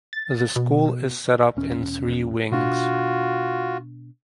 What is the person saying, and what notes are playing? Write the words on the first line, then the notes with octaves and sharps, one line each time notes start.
The school is set up in three Wings.
A6
B2
E1 C#4
B2 D4 F4 F#4